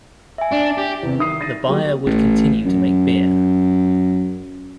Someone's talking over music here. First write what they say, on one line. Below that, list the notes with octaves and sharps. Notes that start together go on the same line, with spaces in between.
The buyer would continue to make beer.
E5 G#5
D4
G4
E2 C3
D#3 E5 D#6 C7
A6 A#6 D#7
F#3 G#3 A#3 F#4 G4
A1
F#2